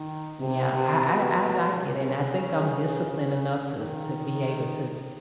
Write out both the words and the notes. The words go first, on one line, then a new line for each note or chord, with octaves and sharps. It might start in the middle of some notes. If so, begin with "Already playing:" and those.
yeah, I I I like it, and I think I'm disciplined enough to to be able to,
Already playing: D#3
C3
C3
B2
C#3
D#3